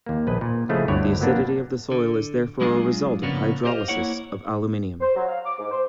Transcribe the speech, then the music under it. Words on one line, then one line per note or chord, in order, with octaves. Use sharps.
The acidity of the soil is therefore a result of hydrolysis of aluminium.
D#2 A#3
A#1 B4 D#5
A#2
C#3 F3 A3 E4 G#4 D#5
G1 D2 G2 E4 C#5 D5
F3 F#3 A#3 B3 D4
D3
F#3 G#3 D4 F4 G#4
C#3 F3 A#3 B3 C#4 D4
G4 C5 D#5 F5
A#3 E4 C#5 F#5
C5
F#3
F5
D6
G#2
C5